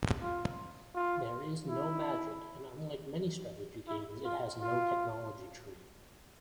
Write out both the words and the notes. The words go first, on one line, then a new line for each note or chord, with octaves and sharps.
There is no magic, and unlike many strategy games, it has no technology tree.
F4
F4
E4
E4
F4
F4